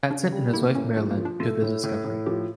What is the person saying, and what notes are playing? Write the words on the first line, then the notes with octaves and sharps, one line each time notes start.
Batson and his wife Marilyn, to the discovery.
C#3 D4
G3
A#3 E4
A2 C#4
F3 A3
A#3
F3
D4
A3 F4
A2
A2
A2
F3 G4